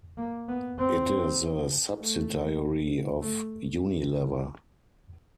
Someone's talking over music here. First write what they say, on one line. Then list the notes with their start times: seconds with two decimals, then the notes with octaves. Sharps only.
It is a subsidiary of Unilever.
0.18 A#3
0.49 B3
0.79 C4
2.00 A3
3.22 A3